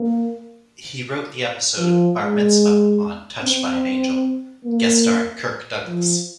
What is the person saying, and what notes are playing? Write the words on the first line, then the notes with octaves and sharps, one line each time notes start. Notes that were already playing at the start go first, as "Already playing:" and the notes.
He wrote the episode 'Bar Mitzvah' on "Touched by an Angel", guest-starring Kirk Douglas.
Already playing: A#3
F3
G#3
C4
A#3
F3